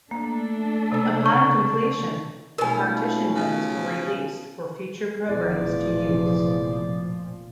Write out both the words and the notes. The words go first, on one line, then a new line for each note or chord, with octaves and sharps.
Upon completion, the partition nodes were released for future programs to use.
A3 A#3 D4 A4
C3 A#3 E6
C#3 C#6
B2 A3 C#4 D#4 F4 A#4 G#5
C#3
F1 E2 A#2 F3 D5